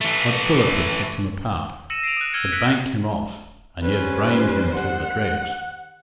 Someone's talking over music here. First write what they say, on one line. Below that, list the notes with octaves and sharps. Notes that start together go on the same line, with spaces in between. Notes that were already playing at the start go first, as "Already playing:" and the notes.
But Philip had kept him apart, had banked him off, and yet drained him to the dregs.
E3 A3
E6 A#6 C#7 D#7 E7
C7 D7 D#7 F7
D#6 F#6
E6 F6 G#6 C#7 D#7
E6 F#6 A#6 B6 C#7
D#3 G3 C#4 B4 C5
F#5